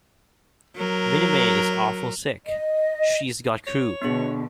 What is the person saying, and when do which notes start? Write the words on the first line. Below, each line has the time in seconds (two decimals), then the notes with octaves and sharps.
Minnie May is awful sick — she’s got croup.
0.76 F#3 A#4
2.45 D#5
3.67 C#5
4.02 B2 D3 B3 D4 G#4